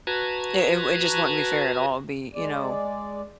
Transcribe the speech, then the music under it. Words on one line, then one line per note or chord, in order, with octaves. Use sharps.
It it w it just wouldn't be fair at all. It'd be, you know,
F#4 B4 A5 A#5 G#6
G#3 D5